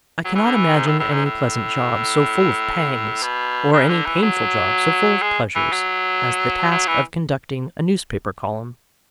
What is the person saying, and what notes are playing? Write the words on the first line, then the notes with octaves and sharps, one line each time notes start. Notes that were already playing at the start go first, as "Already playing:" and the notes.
I can not imagine any pleasant job so full of pangs, or any painful job so full of pleasures, as the task of conducting a newspaper column.
F#3
E3
D3
E3
G#2
A2
A2
G#2
A2
B2
C#3
D3
E3
F#3
G#3
E3
F#3
F#3
E3